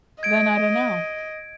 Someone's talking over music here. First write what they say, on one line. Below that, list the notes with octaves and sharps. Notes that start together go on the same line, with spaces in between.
Then I don't know,
D#5 G#6 D7